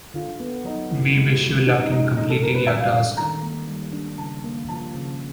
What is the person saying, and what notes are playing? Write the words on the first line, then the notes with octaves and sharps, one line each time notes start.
We wish you luck in completing your task.
D3 F4
B3
F#3 D#4
E4
G#3
F#4
C#4 D4
D#4
G#3 D#4
D3 D#4
A4
C4 A#4
B4
G3 E5
F5
D3 F5
D#3 A#5
A#3
G3
D4
C#3 A5
A#3
F3 A5
C#3